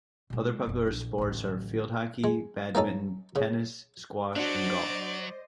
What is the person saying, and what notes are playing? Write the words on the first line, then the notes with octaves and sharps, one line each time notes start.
Other popular sports are field hockey, badminton, tennis, squash and golf.
B2 G#3
F1 A#3
A#1 D4
A1 D2
G#3
A#3 C#4 D#4 A4
C#3
F#3 D4 F#4 C5 D5 D#5